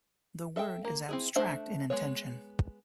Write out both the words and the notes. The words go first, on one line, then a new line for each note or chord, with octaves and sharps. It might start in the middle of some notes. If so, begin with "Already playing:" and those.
The word is abstract in intention.
A4 E5 F5 G5
A#3
C4 E4 G#4
A3 D4 C5 E5 F#5
G#3 B3 C#5